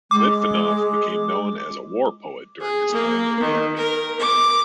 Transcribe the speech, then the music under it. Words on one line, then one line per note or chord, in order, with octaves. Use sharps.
Litvinoff became known as a war poet during his time in the Army.
G#3 D6
G#4
A#3
D#3
A#4
D6